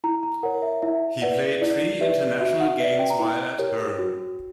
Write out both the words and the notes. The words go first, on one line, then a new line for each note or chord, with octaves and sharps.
He played three international games while at Herne.
E4 A#5
A#5
A#4 C#5 F#5
E5
E4 E5
B4 D5 F#5
E4 D5
G4 B4 D5 E5
F#4 E5
F#5
B4 D5 E5
G5
A#5
E4 G5
G4 A#4 C#5
F#4